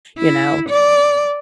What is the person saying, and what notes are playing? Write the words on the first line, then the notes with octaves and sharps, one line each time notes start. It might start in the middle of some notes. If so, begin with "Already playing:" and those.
you know,
E4
D5